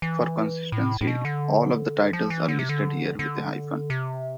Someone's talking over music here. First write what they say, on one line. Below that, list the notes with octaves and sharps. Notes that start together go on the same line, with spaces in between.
For consistency, all of the titles are listed here with a hyphen.
E3
A2
A2
B2
D3
F3
E3
D3
C3
D3
D3
C3